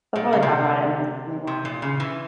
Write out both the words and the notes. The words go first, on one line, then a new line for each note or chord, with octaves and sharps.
They'll probably talk about it in this new one.
A#2
C#3
C3
C3
A#2
C#3
E3